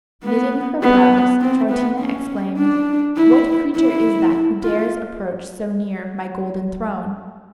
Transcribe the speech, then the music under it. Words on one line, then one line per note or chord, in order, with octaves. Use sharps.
Knitting her brows, Troutina exclaimed, "What creature is that who dares approach so near my golden throne?"
B3
B3
C4
B3
C#4
D4
E4
E4
F4